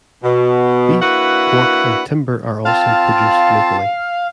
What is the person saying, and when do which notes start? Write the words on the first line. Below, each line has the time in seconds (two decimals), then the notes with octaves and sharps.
Beef, pork and timber are also produced locally.
0.24 B2
1.02 A#3 D4 E4 F#4 B4 F#5
2.65 C4 F4 F5 A5